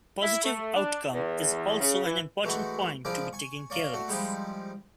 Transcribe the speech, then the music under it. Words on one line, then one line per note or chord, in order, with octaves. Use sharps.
Positive outcome is also an important point to be taking care of.
E4
A3
D4
E2
C#3
E3
E3 G#3 A3 D#4 E4 F#4
F3 G#3 D4 E4 A#4 D5
G#5 C#6
C#5 D5 F5 A#5
A3 D4 F#4
F3 G3 G#3 D#4 E4